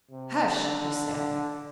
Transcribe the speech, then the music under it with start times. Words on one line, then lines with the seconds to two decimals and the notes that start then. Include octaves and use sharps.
"Hush!" he said.
0.11 C3
0.45 D3
0.81 D3
1.15 D3